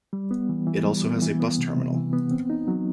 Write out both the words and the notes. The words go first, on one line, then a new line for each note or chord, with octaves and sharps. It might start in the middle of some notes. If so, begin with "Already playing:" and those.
It also has a bus terminal.
G3
B3
E3
E3
G3
B3
E3
B3
C3
C3
E3
B3
C4
D#4
F#3